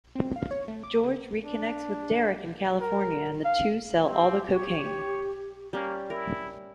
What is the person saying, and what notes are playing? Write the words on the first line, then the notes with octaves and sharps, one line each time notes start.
George reconnects with Derek in California, and the two sell all the cocaine.
C4
F5
C#5
A3
D6
C#3
D4
A#4
F5
C4 G4
C#5
G3 A#3 C#4
E4 A#4